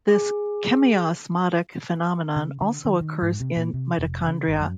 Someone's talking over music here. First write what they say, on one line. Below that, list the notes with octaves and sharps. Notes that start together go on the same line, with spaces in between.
This chemiosmotic phenomenon also occurs in mitochondria.
G#4
C#3
D3
D#3
D#3
G#2
C3
A#2
C3
F1
C#3
G1
F#2